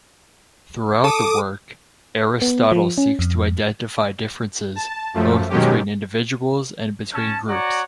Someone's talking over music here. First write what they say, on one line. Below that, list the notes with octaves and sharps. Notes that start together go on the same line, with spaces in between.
Throughout the work, Aristotle seeks to identify differences, both between individuals and between groups.
A4 D6 D#6
B3
F3
C#4
F2
A5
F#2 F3 A3
B2 D#3 F#3 G#3 C#4 G4
C#4 A5
F#4 C#5 D5 F#5 A#5